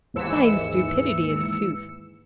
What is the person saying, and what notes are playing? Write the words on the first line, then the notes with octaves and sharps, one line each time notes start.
Fine stupidity, in sooth!
D#2 G#2 E3 E6 C#7